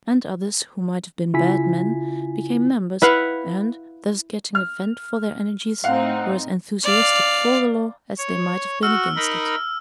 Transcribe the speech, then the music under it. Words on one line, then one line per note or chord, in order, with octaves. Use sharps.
And others, who might have been bad men, became members and, thus getting a vent for their energies, were as enthusiastic for the law as they might have been against it.
C#3 E4 F4 G#5 B6
E4 B4 F5 F#5
F6
A2 C4 D#4 F5 F#5
D5 F5
C#5
F#4 E6 F6
D#4 A#4 B5